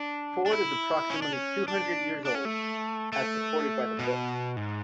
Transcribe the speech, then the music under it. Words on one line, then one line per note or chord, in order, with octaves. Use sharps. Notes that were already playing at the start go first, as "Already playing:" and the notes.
Ford is approximately two hundred years old, as supported by the books.
Already playing: D4
D4
E4
C#4
D4
C#4
D4
D4
C#4
A3
A3
B2
G#2